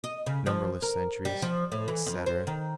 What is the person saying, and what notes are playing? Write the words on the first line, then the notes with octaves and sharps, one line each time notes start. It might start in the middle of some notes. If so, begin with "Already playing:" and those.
"Numberless centuries," etc.
D#5
C#3
F3
A#4
G3
F3
A2
E3
F2
C5
D#3